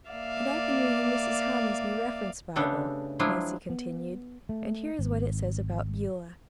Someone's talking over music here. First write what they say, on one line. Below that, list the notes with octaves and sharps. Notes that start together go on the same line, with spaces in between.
"And I've been reading Mrs. Harmon's new reference Bible," Nancy continued, "and here is what it says about Beulah."
A#3 D5 E5 F5
C#3 A3 B3 D4 G4 A4
F3 F#3 G#3 D4 E4 F4
B3
A3
G#1